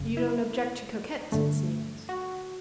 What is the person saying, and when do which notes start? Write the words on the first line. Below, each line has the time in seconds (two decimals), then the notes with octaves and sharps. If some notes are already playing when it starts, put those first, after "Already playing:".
"You don't object to coquettes, it seems?"
Already playing: G1 F#2 C#3
0.17 E4
1.32 G2 D3 A3
2.09 F#4